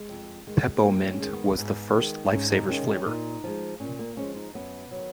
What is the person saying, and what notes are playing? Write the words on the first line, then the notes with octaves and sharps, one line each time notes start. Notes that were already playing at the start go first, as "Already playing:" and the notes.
Pep-O-Mint was the first Life Savers flavor.
Already playing: G#3
F2
D#3 G#3
F2 A#3
C#4
D#3 G#3
B3
G#2
D#3 G#3
G#2 C#4
D#4
D#3 G#3 C#4
C#4
A#2 D#4
F3 G#3
A#2 C#4
A#3
F3 G#3 C#4
D#4
F#2 B3
D#3 F#3